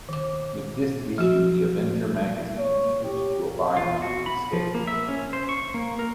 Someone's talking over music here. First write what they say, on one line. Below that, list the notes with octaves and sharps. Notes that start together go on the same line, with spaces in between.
With this issue, The Avenger magazine switched to a bi-monthly schedule.
D#3 D6
F3 F#4
C#5
G4
F4
F#4
B5
F3
A#3
E5
C#4
C5
C#6
A#3
A#4